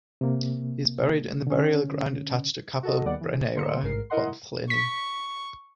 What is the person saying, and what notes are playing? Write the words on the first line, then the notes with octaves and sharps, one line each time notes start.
He is buried in the burial ground attached to Capel Brynaerau, Pontllyfni.
C3 A#3
D3 C#4
F#4 A4 D#5
D#2 D#3 G3 B3 D5 F#5
E3
D3 A#3 C6 C#7
A1 G#2 A#4 C7
E4 A#4 D#5 F#5 C6
C#6 B6